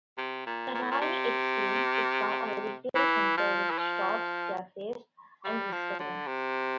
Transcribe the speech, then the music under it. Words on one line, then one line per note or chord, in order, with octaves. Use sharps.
The Royal Exchange is now a retail centre with shops, cafes and restaurants.
C3
A#2
A#2
A2
A#2
C3
E3
F3
E3
F3
G3
F3
D3
C3